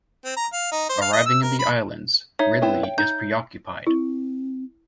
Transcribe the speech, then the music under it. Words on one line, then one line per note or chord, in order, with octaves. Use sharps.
Arriving in the islands, Ridley is preoccupied.
C4
A#5
F5
D#4
C5
F5
D#5
E6
A#4
B5
D#4 C#5 E5
B3 C4 E4
G5
D#4 G6
C4 E4